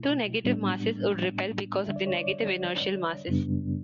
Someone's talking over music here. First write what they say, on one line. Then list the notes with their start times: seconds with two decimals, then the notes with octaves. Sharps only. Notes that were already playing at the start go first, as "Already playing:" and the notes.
Two negative masses would repel because of their negative inertial masses.
Already playing: B2 A3 E4
0.45 A2 G3 B3 D4
1.86 D3 G3 D4 E5
1.96 D5
2.07 C#5
2.17 D5
3.28 F#2 C#3 G3 B3 D4